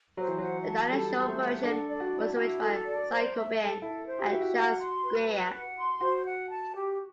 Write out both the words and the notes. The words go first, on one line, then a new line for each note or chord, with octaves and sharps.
The Dinah Shore version was arranged by Cy Coben and Charles Grean.
F#3 C5
E3
F#3
F#5
A5
G3 A4
C5
A3
F#5
D4 A4
D5
F#4
E4
E4 F#4
A4
D5
C5
E5
A4
E4 A4
C5
G4
F#4
E4 E5
F#4
F#5
C6
B4
B4
F#5
C6
F#4 C5
F#5
A5
G4